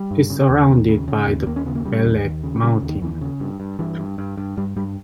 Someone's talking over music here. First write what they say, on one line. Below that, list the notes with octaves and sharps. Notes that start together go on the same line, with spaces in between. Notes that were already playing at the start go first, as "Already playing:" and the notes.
It is surrounded by the Beleg Mountain.
Already playing: G3
G2
C#3
D#2
D#2
C#3
C#3
D#2
D#2 A#3
C#4
C#3 B3
A#3
C#3 G3
D#2
D#2
C#3
C#3 G3
D#2
D#3
D#2 E3
C#3
G2
G2
G2 E3
G2
G2
G2
G2 G3
G2 G3